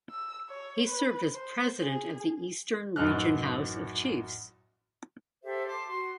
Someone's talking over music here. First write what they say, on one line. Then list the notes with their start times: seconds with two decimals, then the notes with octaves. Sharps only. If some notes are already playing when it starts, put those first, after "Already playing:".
He served as president of the Eastern Region House of Chiefs.
0.10 E6
0.49 C#5
0.87 B4
1.33 C5
1.83 G#4
2.96 A1 F#2 F#3 D#4 F6 F#6
5.43 G4 A4 C5 E5
5.67 A5 C6 D6
5.86 F#4 C6